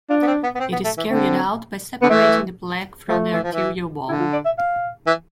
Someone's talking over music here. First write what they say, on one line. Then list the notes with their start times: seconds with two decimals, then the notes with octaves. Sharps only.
It is carried out by separating the plaque from the arterial wall.
0.09 D4 F4
0.22 B3
0.27 C4
0.43 B3
0.55 B3
0.60 C4
0.72 B3
0.84 A3
0.97 E3
1.09 D3 C4
2.02 D3 B3
2.09 E3 A3
3.08 F3 A3
3.33 E3
3.43 F3
3.52 E3
4.08 D3 E4
4.20 F4
4.33 D5
4.45 E5
4.58 F5
5.07 E3